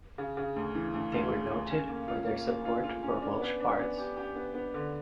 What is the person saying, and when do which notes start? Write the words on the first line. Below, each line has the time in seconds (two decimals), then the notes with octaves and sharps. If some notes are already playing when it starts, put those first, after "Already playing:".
They were noted for their support for Welsh bards.
0.18 C#3
0.37 C#3
0.56 D2
0.75 E3
0.94 D2
1.13 D2
1.32 C#3
1.51 C#3
1.70 C#4
1.89 A#3
2.08 F4
2.27 A#3
2.46 A#3
2.65 F4
2.83 F4
3.03 C#4
3.22 D4
3.41 B3
3.60 D4
3.79 B3
3.98 G4
4.17 G4
4.36 B3
4.54 B3
4.74 D3